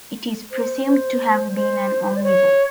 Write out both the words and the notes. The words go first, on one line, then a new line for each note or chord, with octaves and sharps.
It is presumed to have been an omnivore.
C5
C5
C5
D5
C#5